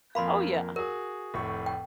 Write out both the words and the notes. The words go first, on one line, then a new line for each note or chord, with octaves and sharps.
oh yeah!
F2 A#3 F5 B5 C6
F#4 G#4 A#4
F1 A2 C#6
G5